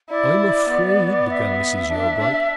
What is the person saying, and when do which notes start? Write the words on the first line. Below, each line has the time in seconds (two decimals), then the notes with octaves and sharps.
"I am afraid--" began Mrs. Yeobright.
0.10 E4 D5
0.70 B3
1.29 E5
1.90 D4
2.19 D4